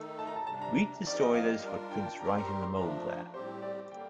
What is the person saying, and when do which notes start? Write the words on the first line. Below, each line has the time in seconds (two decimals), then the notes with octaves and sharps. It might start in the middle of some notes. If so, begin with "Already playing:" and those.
Read the story those footprints write in the mould there.
Already playing: D#3 A3 D#4 A4
0.19 A5
0.27 A#5
0.36 A5
0.47 C3 G3 D4 A5
0.62 A#5
1.04 F3 C4 D#4 G4 A#4 D5
1.21 D#5
1.34 F5
1.62 G3 D4 F4 A#4
1.91 G5
2.05 A5
2.19 G3 C4 G4 A#4 A#5
2.29 C6
2.38 A#5
2.48 C6
2.62 C6
2.77 F3 A3 D4 A#5
2.91 A#5
3.34 A2 G3 C4 G4 C5
3.62 D5
3.91 D3 G3 A#3 G5